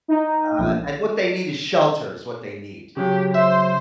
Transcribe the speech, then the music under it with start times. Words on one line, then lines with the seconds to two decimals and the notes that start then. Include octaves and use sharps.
Uh, and what they need is shelter is what they need.
0.08 D#4
0.58 A#1
2.97 C#3 F#3 G4
3.34 C5 E5